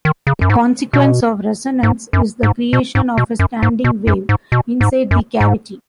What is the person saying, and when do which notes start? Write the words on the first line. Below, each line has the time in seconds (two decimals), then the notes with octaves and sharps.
A consequence of resonance is the creation of a standing wave inside the cavity.
0.05 D#3
0.27 C#3
0.41 F#2
0.50 G#2
0.93 B2
1.83 G#2
2.13 F#2
2.43 G#2
2.73 B2
2.95 G#2
3.18 B2
3.39 F#2
3.62 G#2
3.84 B2
4.07 F#2
4.29 G#2
4.52 B2
4.81 G#2
5.11 F#2
5.40 G#2